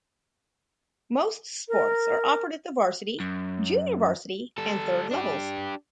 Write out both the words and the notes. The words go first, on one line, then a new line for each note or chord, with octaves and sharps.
Most sports are offered at the varsity, junior varsity and thirds levels.
A#4
F#2
G3 A4
D4 G4